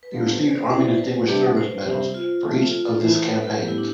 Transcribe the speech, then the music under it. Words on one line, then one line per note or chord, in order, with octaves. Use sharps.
He received Army Distinguished Service Medals for each of this campaigns.
B4
G3 B3 D4 F4 A4
C5
C5
D5
C5
D5
B2 B3 E4 C5
B4
C3 G3 D4 G4
C5
C3 G3 C4
F4
D3 F3 A3 C4
F4
A4
E3 A3 E4 C5
B4
A4
B4
A4
A2 G3 B3 G4
E4
D4